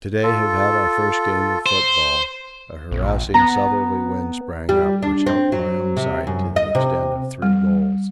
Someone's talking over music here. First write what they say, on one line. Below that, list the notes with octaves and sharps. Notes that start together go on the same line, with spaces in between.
To-day have had our first game of football; a harassing southerly wind sprang up, which helped my own side to the extent of three goals.
F4 A4
C5
A#1
B3 A#5
G3
D4
C4
F#3
C3
F#2
D#5
C3
G3